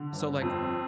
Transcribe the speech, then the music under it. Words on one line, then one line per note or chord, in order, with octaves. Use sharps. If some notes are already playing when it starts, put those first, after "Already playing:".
So like
Already playing: D3
G1
F2